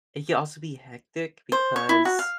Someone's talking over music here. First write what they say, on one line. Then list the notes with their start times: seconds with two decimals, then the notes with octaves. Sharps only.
It can also be hectic because
1.52 C5
1.76 C#5
1.89 E4
2.05 F#4
2.19 F5